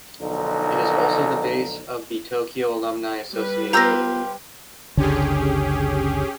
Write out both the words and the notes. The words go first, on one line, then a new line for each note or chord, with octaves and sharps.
It is also the base of the Tokyo Alumni Association.
B1 D3 F3 D#4
G3 B4
B3 F4 G4 C5 F5 A#5 E6 A#6
F#1 C#2 D3 C#4 G4 G#4